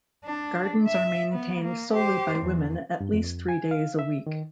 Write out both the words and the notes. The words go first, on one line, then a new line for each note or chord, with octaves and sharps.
Gardens are maintained solely by women, at least three days a week.
D4
E5
B3
A#3
G4 C5
E2
G2
F2
G#5
F5
E5
D#3